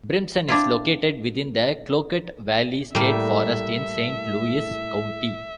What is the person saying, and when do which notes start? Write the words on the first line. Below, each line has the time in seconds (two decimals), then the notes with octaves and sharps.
Brimson is located within the Cloquet Valley State Forest in Saint Louis County.
0.48 C4 D4 E4 F4
2.95 A2 G3 A#3 E5